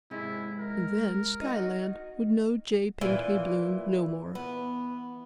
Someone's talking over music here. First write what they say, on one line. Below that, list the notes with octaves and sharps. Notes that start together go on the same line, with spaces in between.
And then Skyland would know J. Pinkney Bloom no more.
G#2 C3 G#3 E4
A#4
D#4 F#4
A#2 E3
B3